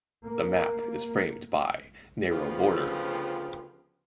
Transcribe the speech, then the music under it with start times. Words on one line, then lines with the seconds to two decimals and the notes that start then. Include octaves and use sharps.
The map is framed by narrow border.
0.24 A#3
2.31 D2 C#3 F3 B3 F4 G4